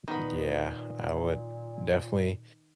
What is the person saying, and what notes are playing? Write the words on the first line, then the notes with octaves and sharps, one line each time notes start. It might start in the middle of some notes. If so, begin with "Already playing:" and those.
Yeah, I would definitely
A#2 D#3 B3 B4